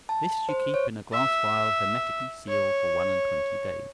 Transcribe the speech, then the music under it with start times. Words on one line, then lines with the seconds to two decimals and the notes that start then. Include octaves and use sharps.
This you keep in a glass vial hermetically sealed for one-and-twenty days.
0.09 A5
0.49 C5
0.74 C#5
1.12 E5
2.49 C#5